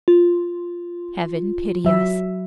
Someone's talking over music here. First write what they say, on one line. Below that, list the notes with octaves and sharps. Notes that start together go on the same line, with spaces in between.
Heaven pity us!
F4
F#3 E5